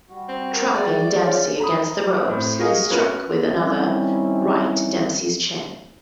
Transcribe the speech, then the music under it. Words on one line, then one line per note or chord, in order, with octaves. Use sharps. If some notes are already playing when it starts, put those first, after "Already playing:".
Trapping Dempsey against the ropes, he struck with another right to Dempsey's chin.
G3 F#4
C4
A#4
G#4 D5 E5 G5
C#4 F4 C5
A#5 B5 D#6
A2 C4
F#4 G#4 A#4 D#5 F5
C#4 F#4 A#4 B4 C#5
D#3 G3 C4 C#4 D#4 E4